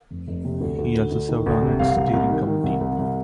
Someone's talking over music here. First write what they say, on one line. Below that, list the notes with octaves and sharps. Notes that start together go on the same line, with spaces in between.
He also served on its steering committee.
F1
F1
C3
D2
D2
D2
D2
D#3
D2
C3
C2 F5
C2
C2
D#3
D#3
C2
C2
C2